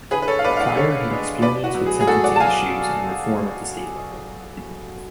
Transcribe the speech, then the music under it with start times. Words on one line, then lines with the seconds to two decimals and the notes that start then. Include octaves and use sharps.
Pryor had experience with sentencing issues and reform at the state level.
0.11 D3 G#4 B4
0.22 B4
0.28 A4 C#5
0.39 F5
0.44 G#3 B3 D4 B4 D5
0.57 F5
0.60 D5 F#5
0.77 D3 A4 C#5
1.10 G#3 B3 D4
1.42 B2 B4 D5
1.64 F#4
1.75 F#3 B3 D4
1.86 G#4
2.01 G#4
2.07 B2 F#4 A4
2.24 D5 F#5
2.36 A5
2.40 F#3 B3 F5 G#5